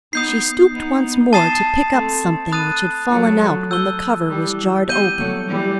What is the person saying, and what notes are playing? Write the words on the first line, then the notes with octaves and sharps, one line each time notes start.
She stooped once more to pick up something which had fallen out when the cover was jarred open.
B3 D#4 D#6 G6 C7
B3 D#4
A5 D#6 A6 C7 E7
A3 C4
B5 D#6 F#6 A6 D#7
F#3 A3
E6 G6 D#7 G7
E3 G3
G3 B3 G6 D#7 G7
F#3 A3
E3 G3